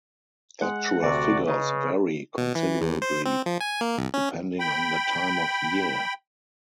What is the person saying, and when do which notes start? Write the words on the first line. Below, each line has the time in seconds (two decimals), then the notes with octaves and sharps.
Actual figures vary considerably depending on the time of year.
0.61 G#3 F#5
1.03 D2 C3 F#4 D5
1.46 C#3 B4 D#5 A#5
2.37 B2
2.55 E3
2.82 E2
3.02 C5
3.26 C4
3.46 F3
3.61 G#5
3.81 A#3
3.97 C2
4.14 C#4
4.60 G5 B5